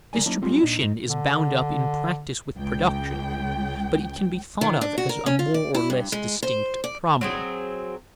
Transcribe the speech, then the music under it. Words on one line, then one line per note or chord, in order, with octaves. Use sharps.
Distribution is bound up in practice with production, but it can be thought of as a more or less distinct problem.
C#3 G3 A#3 A#4 D5 G#5
F#3 A#3 C#4 D#4 E4 A5
F#3 G3 C4 F4
A#2 D4 D#4
G#2 D#4
D3
C#2 G5
D#3
D4
F#4
A#4
C#4
F4
D5
E4
G2
G#3
C5
D5
F#3 C4 G#4